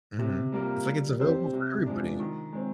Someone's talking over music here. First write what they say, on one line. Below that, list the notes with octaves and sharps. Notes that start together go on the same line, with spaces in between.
Mhm. It's like it's available for everybody.
C3
G3 A#3 F4 A#4
G3
C4 G4 C5
C3
F3 G#3 D4
D#3
G#3 C4